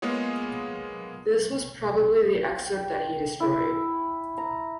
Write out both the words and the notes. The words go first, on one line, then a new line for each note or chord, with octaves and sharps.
This was probably the excerpt that he destroyed.
G#3 A#3 B3 F4 G#4 C#5
G5
E4
A#5